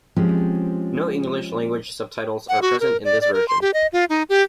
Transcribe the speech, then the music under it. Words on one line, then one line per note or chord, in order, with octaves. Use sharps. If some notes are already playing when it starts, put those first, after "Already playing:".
No English language subtitles are present in this version.
F3 G#3 C4 C#4 G4
F#5
F#4
A#4
D5
D5
A#4
C6
G4
D#5
F4
D#4
G4